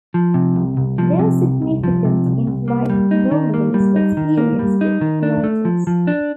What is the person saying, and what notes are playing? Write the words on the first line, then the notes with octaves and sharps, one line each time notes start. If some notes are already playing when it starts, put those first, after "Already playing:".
No significant in-flight anomalies were experienced with Atlantis.
F3
C3
C2
C2
F3
C3
C2
C2
F3
C3
C2
C2
A#3
G3
D#4
D#3
A#3
G3
D#4
D#3
A#3
G3
D#4
D#3
D4
A3
F3
F3
D4